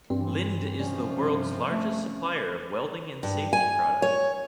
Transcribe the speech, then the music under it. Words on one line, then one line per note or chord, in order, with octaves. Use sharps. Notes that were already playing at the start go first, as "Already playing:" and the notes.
Linde is the world's largest supplier of welding and safety products.
G2 E3 C4
C3 F3 G3 C#4
A3
G2
G#5
C#5